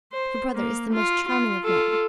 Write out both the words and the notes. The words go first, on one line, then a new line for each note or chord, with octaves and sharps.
Your brother is the most charming of men.
C5
A#3
F4
F4
F4 A4